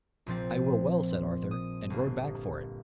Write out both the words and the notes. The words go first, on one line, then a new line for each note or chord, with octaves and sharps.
"I will well," said Arthur, and rode back for it.
A#1 A#2 F3 C4 A6
D#6
G1 A#3